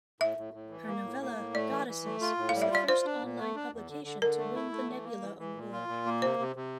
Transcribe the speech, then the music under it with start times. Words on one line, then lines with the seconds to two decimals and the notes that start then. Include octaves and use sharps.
Her novella "Goddesses" was the first online publication to win the Nebula Award.
0.20 A2 E5
0.37 A2
0.54 A2
0.70 E3
0.87 A#3
1.04 A2
1.21 A#3
1.37 A2
1.54 A3 D5
1.71 E3
1.88 E3
2.04 A3
2.21 F4
2.37 A2
2.49 F5
2.55 G3
2.62 E5
2.71 F4 D5
2.88 F4 C5
3.05 D4
3.21 A#2
3.38 A3
3.55 D4
3.72 E2
3.88 D3
4.04 D3
4.22 D3 A#4
4.38 A3
4.55 E4
4.72 A3
4.88 E3
5.05 A#3
5.22 E3
5.39 E3
5.55 A#2
5.72 F4
5.88 A#2
6.06 A#3
6.22 C3 C5
6.39 C3
6.56 C3